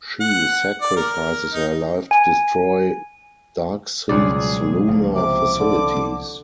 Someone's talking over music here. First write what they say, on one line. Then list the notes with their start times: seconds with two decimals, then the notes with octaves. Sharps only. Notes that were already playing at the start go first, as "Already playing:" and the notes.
She sacrifices her life to destroy Darkseid's lunar facilities.
0.20 F#5
0.82 D5
0.97 A#4
1.52 D#4
2.11 G#5
4.09 C#2 B2 F#3 G3 G#4 D5
4.88 C2 F3 A#3
5.15 C3 D6
5.60 D3